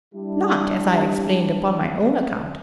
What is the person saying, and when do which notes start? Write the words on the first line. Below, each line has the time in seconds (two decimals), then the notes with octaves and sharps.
Not, as I explained, upon my own account.
0.14 G3 D4 E4 G4